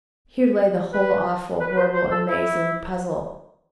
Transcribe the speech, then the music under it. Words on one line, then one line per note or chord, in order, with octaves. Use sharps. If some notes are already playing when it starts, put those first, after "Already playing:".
Here lay the whole awful, horrible, amazing puzzle.
B4
B4
B4
C5
C5
A4
E4